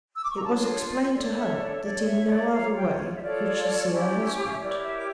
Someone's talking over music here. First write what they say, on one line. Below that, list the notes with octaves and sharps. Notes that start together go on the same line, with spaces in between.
It was explained to her that in no other way could she see her husband.
E6
D6
C#6
A#5
D4 F4 C#5 A5
C#5
D4 A4 C#5 D5
E5
D5
E5
D4 A4 C#5 D5
E5
D5
F4 C#5 F5
G5
E5
F4 A4 C#5 D5
C#4 E4 G4
F5
E5
E4 G4 A#4 C#5 D5
E5
D6